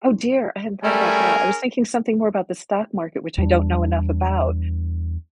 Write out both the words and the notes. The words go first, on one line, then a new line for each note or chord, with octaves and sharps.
oh dear, I hadn't thought about that, I was thinking something more about the stock market, which I don't know enough about.
G3 A3 C#4 G#4 A#4 G#5
E2 G3 B3 D4